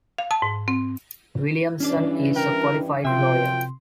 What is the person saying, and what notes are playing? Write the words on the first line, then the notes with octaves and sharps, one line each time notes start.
Williamson is a qualified lawyer.
F5
A5
G#2
C4
G2 E3 C#4 D4 D5
A#4 G5
F#2 C3 F3 F4 E5 G5 C6